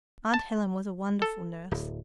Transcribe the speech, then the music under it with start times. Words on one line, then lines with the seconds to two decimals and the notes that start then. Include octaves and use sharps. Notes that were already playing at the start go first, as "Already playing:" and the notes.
Aunt Helen was a wonderful nurse.
0.34 A5
1.22 A4
1.71 D1